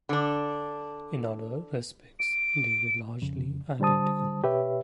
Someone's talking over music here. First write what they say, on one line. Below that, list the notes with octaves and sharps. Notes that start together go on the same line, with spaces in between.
In other respects they were largely identical.
D3 D4
D7
F2 C#3
D3 G3 C5 A5 D#6
B2 G4 B4 C#5 E5